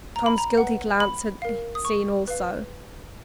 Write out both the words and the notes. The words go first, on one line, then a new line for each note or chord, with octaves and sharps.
Tom's guilty glance had seen also.
A#5
B5
A#5
B4 F#5
B5
A#4 F5
D#6
C#6
B4 F5